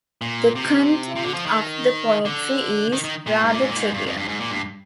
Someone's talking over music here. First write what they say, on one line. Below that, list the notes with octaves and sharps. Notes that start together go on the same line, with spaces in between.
The content of the poetry is rather trivial.
A#2
C3
C3
D3
F3
D#3
D3
D#3
D#3
A#2
G#2
A#2
G#2
A#2
G#2
G2
F2
G2
G#2
A#2
G2